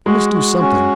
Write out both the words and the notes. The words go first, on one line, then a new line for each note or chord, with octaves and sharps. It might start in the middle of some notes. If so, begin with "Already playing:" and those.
We must do something.
G#3 F#4
F#4
C#4